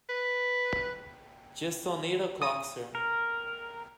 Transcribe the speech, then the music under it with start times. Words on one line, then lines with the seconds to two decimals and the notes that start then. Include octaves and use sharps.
Just on eight o'clock, sir.
0.09 B4
2.42 D#6
2.95 A#4